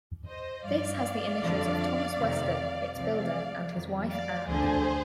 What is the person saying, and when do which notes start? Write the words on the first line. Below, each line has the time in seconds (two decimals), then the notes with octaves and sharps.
This has the initials of Thomas Westerne, its builder, and his wife Anne.
0.26 C5 D#5
0.64 G2 F3 D5 F5
1.42 F2 D3 F3
2.18 F2 C3 D#3
2.95 C2 C3 F3 D5 F5
3.71 F2 D#3
4.10 D5 F5
4.48 D2 D3 F3 G#4 C5